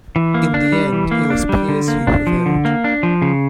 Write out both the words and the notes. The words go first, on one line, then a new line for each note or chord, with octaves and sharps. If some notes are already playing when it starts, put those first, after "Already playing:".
In the end it was Pearce who prevailed.
E3
A#3
D4
G3
E3
A#3
D4
G3
D3
A#3
D4
F3
D3
A#3
D4
F3
C#3